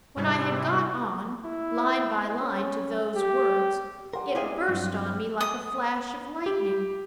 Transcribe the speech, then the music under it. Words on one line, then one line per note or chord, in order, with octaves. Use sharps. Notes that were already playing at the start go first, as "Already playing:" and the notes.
When I had got on, line by line, to those words, it burst on me like a flash of lightning.
G#2 C3 G3 G#3 E4
E4
C#4
G4
G3 F4 A#4 F#5 C6
C4 E4 G4 G#4 D5 D#5 F5 F#5
G2 F#3 C4
D#6
G4